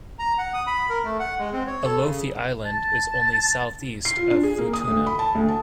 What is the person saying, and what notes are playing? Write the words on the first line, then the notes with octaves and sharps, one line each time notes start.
Alofi island is only southeast of Futuna.
A#5
F#5
D#6
B5
A#4
A3
F#5
G#3
C4
C#5
A4
C#3
A5
C7
F4
D4
G#4
A#3
D#6
D2
B5
A5
D2
A5